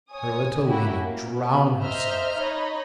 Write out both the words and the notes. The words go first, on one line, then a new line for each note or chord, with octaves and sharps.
Her little Lena drown herself!
C#5 G#5 D#6
A#3 C#4 E4 F#4 G4
A#3
B3
C5 D#5 E5 A#5 F6 G6
D#4 C#5 D#5 B5